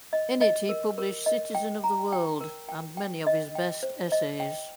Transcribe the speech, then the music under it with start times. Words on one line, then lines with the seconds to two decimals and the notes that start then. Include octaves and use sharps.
In it he published "Citizen of the World" and many of his best essays.
0.13 D#5
0.41 D#5
0.69 A#4
0.98 A#4
1.26 D#5
1.55 G5
1.84 A#5
2.12 G5
2.41 A#4
2.69 G5
2.97 G5
3.27 D#5
3.55 G5
3.83 C5
4.12 D#5
4.40 G5